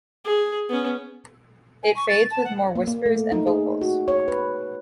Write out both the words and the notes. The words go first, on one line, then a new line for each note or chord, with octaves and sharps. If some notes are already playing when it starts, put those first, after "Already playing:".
It fades with more whispers and vocals.
G#4
B3 C#4
G#5
C#6
A6
A5
F#5
A#3
A#3
A3
D#4
G#4
F#4
C#5
B4